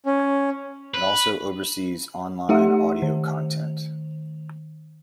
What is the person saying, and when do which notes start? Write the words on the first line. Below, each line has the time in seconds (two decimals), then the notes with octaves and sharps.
It also oversees online audio content.
0.06 C#4
0.94 B4
2.49 A3 D#4 G4 E5 F#5
3.02 D#3